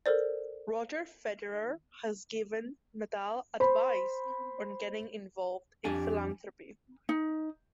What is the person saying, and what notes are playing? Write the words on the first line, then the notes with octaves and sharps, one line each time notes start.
Roger Federer has given Nadal advice on getting involved in philanthropy.
A4 A#4 C5 D5
C5 B5
F2 D4 G4 G#5
D#4